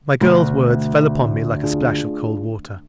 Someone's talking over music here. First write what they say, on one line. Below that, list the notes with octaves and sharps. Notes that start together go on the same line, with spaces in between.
My girl's words fell upon me like a splash of cold water.
D2 B2 A3
D4 F4 G#4